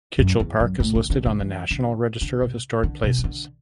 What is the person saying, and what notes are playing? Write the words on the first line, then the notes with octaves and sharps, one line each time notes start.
Kitchell Park is listed on the National Register of Historic Places.
F#2
E2
F#2
A2
D3
D3
D3
E3
D3
D3
B2
D3
B2
E3
D3